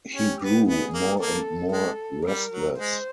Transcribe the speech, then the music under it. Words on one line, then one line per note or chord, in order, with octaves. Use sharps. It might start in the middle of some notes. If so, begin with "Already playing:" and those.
He grew more and more restless.
C#4 G4
B3
B3 G#4
A#3
A#3 A4
G#3 A4
G3 A#4
F#3
G#3 C5